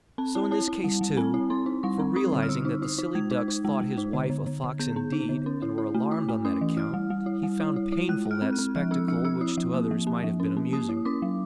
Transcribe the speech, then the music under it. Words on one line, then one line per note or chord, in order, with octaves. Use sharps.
So in this case, too, for realising that the silly ducks thought his wife a fox indeed and were alarmed on that account he found painful that spectacle which to others might have been amusing.
C4 A5
E4 A5
E4 A5
E4
G3
G3
C4 G#5
E4
C4 C6
D#4
G3 C#6
C4
C4 D#6
D3
F6
D3 E6
D#4
D#4 D#6
D#4
G#3 G#6
D#4
D#4
G#3
G#3
D#4
D3
D3
D3
D3
B3 G6
B3
D#4
D3
C#4
E4
E4
A3
E4 D6
A3
C#4 D#6
E3
E4 F6
G3
G3
E4
G3
E4
E4
E4
G#3 F#6
G#3
F6
C4
F#6
C4
F3 F6
C4 E6
F3 E6
C4 E6
E4 D#6
F3
A#3
F3
A#3
F3
C#4
A#3
A#3 D#6
E4
C#4 D6
F#3